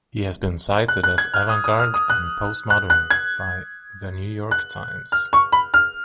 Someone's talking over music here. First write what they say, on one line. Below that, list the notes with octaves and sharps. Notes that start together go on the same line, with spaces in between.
He has been cited as avant garde and postmodern by "The New York Times".
F#6
F#6
G#6
F6
D#6
D#6
F6
D#6
F#6
F#6
F#6
G#6
F#6
F6
C#6
B5
F6